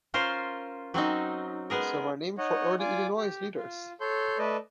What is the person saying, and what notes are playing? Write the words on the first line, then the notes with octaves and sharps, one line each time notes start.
Some are named for early Illinois leaders.
C#4 F4 A#4 C5
F#3 C4 C#4 D#4
G#3 B3 G#4 A#4
D#4 C#5 D#5 F#5
F4 D5 G#5 D6
G4
F4
A4 C#5 C6 G6
A3 B4 D5 D#5 A5